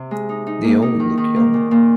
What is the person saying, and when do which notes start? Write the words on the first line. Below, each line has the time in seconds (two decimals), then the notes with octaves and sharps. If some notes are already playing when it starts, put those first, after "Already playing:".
They all look young.
Already playing: C3
0.11 G#3
0.29 D#4
0.47 D#4
0.64 A#3
0.82 D#4
1.00 D#3
1.17 D#3
1.36 A#3
1.54 A#2
1.71 A#2